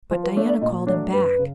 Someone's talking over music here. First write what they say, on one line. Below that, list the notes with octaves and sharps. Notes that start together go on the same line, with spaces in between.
But Diana called him back.
F3 C5
B4
A3 D4 C#5
D5
A#2 D#5
F#3 A3 D4 C#5
F#2 B4
C#3